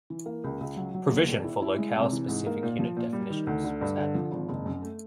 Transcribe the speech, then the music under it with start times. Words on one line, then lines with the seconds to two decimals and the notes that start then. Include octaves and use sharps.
Provision for locale-specific unit definitions was added.
0.10 E3
0.26 A#3
0.44 C#2
0.61 C#2
0.77 F#3
0.94 F#3
1.11 D#2
1.28 E1
1.44 E4
1.62 E4
1.79 G#3
1.95 C3
2.12 E3
2.28 G#2
2.46 A#3
2.63 A#2
2.79 F3
2.97 A#2
3.13 G3
3.30 D#3
3.47 D2
3.64 D3
3.81 G2
3.98 D3
4.15 F3
4.32 G#1
4.49 F#1
4.65 F#2
4.82 A3